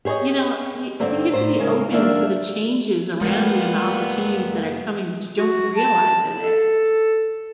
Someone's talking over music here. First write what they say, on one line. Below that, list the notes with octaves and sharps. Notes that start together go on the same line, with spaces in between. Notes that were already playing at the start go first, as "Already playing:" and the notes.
you know, y I think you have to be open to the changes around you and the opportunities that are coming that you don't realize are there.
G4 G#4 C5 C#5 D#5
G2 D3 C4
A2 C5 A#5
C#3 G#3 A#4
D#3 A#3 D4 A#4 E5 A5
F#2 G3 G#3 A#3 B3 F4
F#4
A5
A4